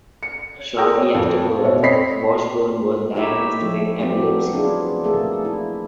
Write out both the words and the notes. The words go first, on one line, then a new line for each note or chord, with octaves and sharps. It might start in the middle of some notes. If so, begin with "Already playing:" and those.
Shortly after birth, Washburn was diagnosed with epilepsy.
C#7
G#4 A#4 G5 A#5 D#6 E6
C#5
F2
B2 C5 C#5 E5
C4 C#5 D#5 B5 B6 C7
D#4 E4 G4 C#5 E5
F3 A3
F#3 G3 B3 C4 G4
B3 D4 E4 F4 G#4
A3 A#3 G#4 A4
E4